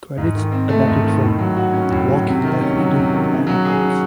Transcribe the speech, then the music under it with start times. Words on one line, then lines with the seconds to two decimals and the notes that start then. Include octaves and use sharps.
Credits adapted from "Walking Like We Do" liner notes.
0.18 G#2
0.35 D#3
0.52 C4
0.69 A3
0.86 G#2
1.04 D#3
1.21 A2
1.39 F#3
1.57 F#4
1.73 C#4
1.90 A2
2.08 F#3
2.26 C3
2.44 D#3
2.61 C#4
2.77 F#3
2.95 C3
3.13 D#3
3.30 C#3
3.47 F#3
3.65 G#4
3.81 C#4